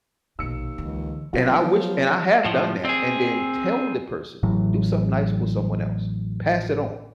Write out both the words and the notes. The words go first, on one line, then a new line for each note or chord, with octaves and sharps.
and I wish and I have done that, and then tell the person, "Do something nice for someone else. Pass it on.
A#1 D#2 B2 E6 C#7
C#2 D3 E3
F#2 F#3 G3 A#3 F4 F#4
F3 B3
A2 F3
C4 G#4
A1 A2 E3 F#3